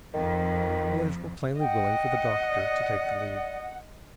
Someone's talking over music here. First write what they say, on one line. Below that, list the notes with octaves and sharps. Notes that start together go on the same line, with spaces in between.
The others were plainly willing for the doctor to take the lead.
F2 D#3
D#5 F#5 G5
D5